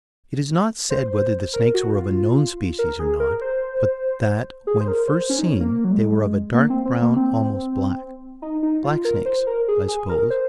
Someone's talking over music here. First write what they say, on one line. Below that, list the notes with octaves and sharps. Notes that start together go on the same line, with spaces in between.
It is not said whether the snakes were of a known species or not, but that "when first seen, they were of a dark brown, almost black." Blacksnakes, I suppose.
C5
A#4
F#4
F4
A#4
G#4
A#4
C5
G#4
C5
A#4
C5
C#4
D#4
C#4
A#3
F#3
G#3
A#3
C4
C4
A#3
C4
D#4
D#4
F4
A#4
C5
A#4
G#4
G#4
A#4
C5